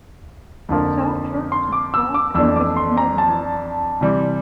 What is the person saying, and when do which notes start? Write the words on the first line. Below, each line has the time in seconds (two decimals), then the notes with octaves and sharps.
Sartre took part in this movement.
0.69 F2 D3 F3 A#3
1.52 C6
1.72 D6
1.94 E6
2.14 D6
2.34 F2 E3 A3 D4 E6
2.56 D6
2.76 C6
2.97 A#5
3.18 A5
4.01 C3 E3 G3